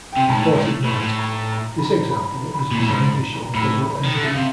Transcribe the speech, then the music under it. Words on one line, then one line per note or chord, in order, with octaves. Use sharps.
Important note: this example is designed to show double entry.
G5
C3
G#5
G#2 A5
A2 A#5
G#2
A2
A2 B5
G#2
A2
A#5
A#5
B5
A#5
B5
A#5
B5
A#2
A2 A#5
G#2 B5
A#5
A#5
A2 B5
B5
A#5
D#3
D3
C#3 E5
C3 F5